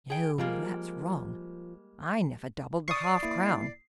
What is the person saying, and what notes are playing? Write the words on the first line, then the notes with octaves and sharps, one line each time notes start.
No, that's wrong--I never doubled the half-crown.
G#4 G5
F3 G3 G#3 A#3 F4 A#4
D5 C#6 D#6 C7
A#3 E4